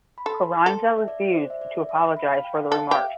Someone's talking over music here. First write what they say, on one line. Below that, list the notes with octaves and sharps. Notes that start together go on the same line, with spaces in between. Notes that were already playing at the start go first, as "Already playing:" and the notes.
Carranza refused to apologize for the remarks.
B5
A4 C6
A4
E5
D5
D5
C5
E5
D5
E5
B5
F5
G5
A4 F5
G4 E5
F5